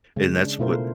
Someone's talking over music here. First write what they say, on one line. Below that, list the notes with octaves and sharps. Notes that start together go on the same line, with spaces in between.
And that's what
C#3 G#3
D4
B2 A3 E4 F4 A#4 C5